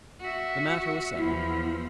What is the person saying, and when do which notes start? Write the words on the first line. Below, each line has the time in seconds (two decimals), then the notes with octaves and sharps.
The matter was settled.
0.21 F#4 E5
1.18 E2 F3 E4